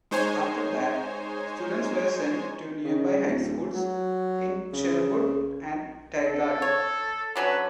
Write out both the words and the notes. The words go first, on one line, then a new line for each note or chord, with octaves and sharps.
After that, students were sent to nearby high schools in Sherwood and Tigard.
G#3 D#4 C5 C#5 G#5
C#3
D1
F#3
C#3
A4
C#5
D3 F#3 C#4 B4